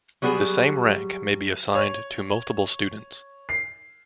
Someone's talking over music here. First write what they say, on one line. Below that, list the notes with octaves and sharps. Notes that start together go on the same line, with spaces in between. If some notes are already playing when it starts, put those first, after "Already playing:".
The same rank may be assigned to multiple students.
F#3 G3 B3 F#4 G#4
C#5
C7